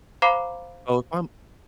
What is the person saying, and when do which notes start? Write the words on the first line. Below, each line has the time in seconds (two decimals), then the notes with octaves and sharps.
Oh, if I'm
0.22 C5 F5 A#5 B5 D6 C7